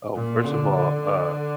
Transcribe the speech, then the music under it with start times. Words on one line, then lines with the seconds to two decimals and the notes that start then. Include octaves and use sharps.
Oh, first of all, uh,
0.15 A#2
0.46 D3
0.76 D3